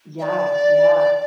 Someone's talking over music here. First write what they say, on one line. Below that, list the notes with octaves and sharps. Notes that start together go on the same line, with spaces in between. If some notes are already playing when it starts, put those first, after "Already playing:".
Yeah, yeah.
E5
D5